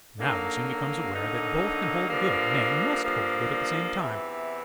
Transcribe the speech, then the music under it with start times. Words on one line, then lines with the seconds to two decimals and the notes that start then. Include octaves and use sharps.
Now he soon becomes aware that both can hold good, nay, must hold good at the same time.
0.18 D3 F#3 A#3 D#4
1.13 D3 F#3 A#3 D#4
2.07 G2 D3 F3 A#3
3.02 G2 D3 F3 A#3
3.95 E2 C3 E3